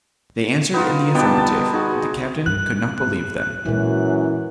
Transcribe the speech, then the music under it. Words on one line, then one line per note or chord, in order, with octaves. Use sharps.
They answered in the affirmative, but the captain could not believe them.
B3 D#4 F4
B2 G3 B3 D#4 G5 A5
D#4 F#4 G#4
G2 F#6
F#2 A#2 E3 G#3